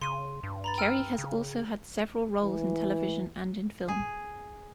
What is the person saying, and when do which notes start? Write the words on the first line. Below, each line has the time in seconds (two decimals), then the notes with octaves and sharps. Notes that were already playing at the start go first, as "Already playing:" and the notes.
Kerry has also had several roles in television and in film.
0.01 C#3 C6 D#7
0.43 G2
0.64 A#5 B5 A6
0.78 G5 E6 F6
1.18 C#3
2.43 E3
3.88 G#4